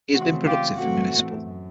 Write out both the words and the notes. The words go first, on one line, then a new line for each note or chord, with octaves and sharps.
He has been productive for Municipal.
C#3 E3 A3 C4 F#4
F4 G4
A2 E3 A3 C4 F#4
F#2